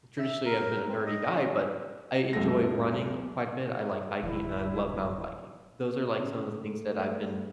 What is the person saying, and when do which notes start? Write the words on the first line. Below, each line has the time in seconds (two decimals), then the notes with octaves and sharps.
Traditionally, I've been a nerdy guy, but I enjoy running quite a bit, I like hiking, and I love mountain biking. Those are, like, some of the things that I've been,
0.19 E5
0.46 A#4
0.88 C4
1.05 D#5
1.31 C#4
2.33 F#1 C#2 F#2 G4 A4 A#6
4.23 D1 E3 F#3 E4
6.18 C#3
6.55 A3